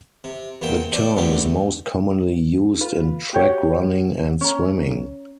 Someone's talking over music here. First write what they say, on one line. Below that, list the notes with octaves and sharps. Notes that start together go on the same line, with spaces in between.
The term is most commonly used in track running and swimming.
C3
E2 A#2 C5 G5
A3 C5 D5
A1 E2 D3 A3 G4
F4 B4
F#4 G4 C#5
C#4 A#5